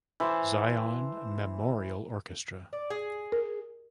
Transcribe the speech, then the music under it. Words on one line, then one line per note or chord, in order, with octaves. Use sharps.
Zion Memorial Orchestra.
E3 C5 A5
D5
G#4
A#4